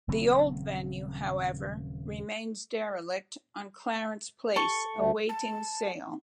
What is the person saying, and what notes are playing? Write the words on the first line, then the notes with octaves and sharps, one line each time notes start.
The old venue however remains derelict on Clarence Place awaiting sale.
D#1 C#3 F#3 C4
A4 C#6
D2 A3
A5